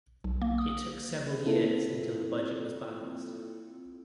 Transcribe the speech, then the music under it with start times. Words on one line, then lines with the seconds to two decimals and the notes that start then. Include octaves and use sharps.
It took several years until the budget was balanced.
0.24 B1
0.42 A#3
0.58 D#6
1.45 A#3 C4 E4 F4 A4